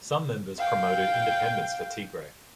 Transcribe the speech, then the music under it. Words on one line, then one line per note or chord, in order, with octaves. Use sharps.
Some members promoted independence for Tigray.
F5 G5